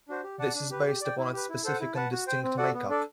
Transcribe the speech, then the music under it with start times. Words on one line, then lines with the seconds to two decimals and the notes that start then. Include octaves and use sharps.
This is based upon its specific and distinct makeup.
0.08 D4 F#4 C5
0.23 G4
0.39 D5 F#5 A5
0.55 D4
0.70 G4 B4
0.87 G4
1.01 D5 G5
1.18 E4
1.33 G4 B4
1.49 E4
1.64 A4 C5 F#5
1.80 E4
1.95 B4 F#5 A5
2.12 F#4
2.27 C5 G5
2.43 C4
2.58 F#4 A4 D5 F#5
2.74 B3
2.89 D4 A4 D5